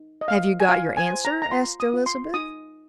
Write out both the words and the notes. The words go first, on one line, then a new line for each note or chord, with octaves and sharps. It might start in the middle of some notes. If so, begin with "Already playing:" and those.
"Have you got your answer?" asked Elizabeth.
Already playing: D#4
D#5
A#4 F5
G#5
F4 F5
G#5
C5
A#5
A#5
F4 C6
D#6
F4
C6
D#4 D#6